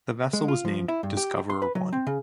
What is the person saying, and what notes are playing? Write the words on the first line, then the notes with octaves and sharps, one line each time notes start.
The vessel was named Discoverer One.
G#3
F4
F3
E4
G2
G4
C6
B4
F#3
C4
C#3